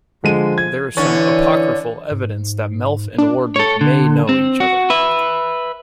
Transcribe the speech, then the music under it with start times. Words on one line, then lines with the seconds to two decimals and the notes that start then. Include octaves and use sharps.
There is some apocryphal evidence that Melf and Warduke may know each other.
0.24 D3 F3 G#3 D#7
0.58 G#6
0.97 D3 E3 C#4 C#6 A6
2.11 G#2
3.19 D4
3.56 A4 C#5
3.81 D3
4.29 C4
4.60 F#4
4.90 B4 E5